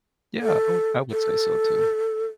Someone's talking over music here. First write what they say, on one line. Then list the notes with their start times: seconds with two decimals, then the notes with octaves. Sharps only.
Yeah. I would I would say so too.
0.42 A4
1.11 A4